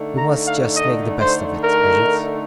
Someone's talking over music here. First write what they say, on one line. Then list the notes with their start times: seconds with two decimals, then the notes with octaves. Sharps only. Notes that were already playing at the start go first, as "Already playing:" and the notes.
We must just make the best of it, Bridget.
Already playing: D3 A3 D#4
0.18 A#5
0.46 F5
0.76 D#5
1.20 C5
1.63 A#4